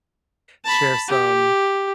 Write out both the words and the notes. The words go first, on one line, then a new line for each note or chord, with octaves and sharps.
share some
A5 B5
G4